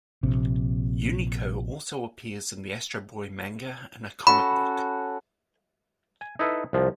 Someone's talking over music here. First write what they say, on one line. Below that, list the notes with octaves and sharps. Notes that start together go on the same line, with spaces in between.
Unico also appears in the Astro Boy manga in a comic book.
A#1 C3
C#4 F#4 A4 B5
G#5
D#4 E4 A4 B4
C2 F3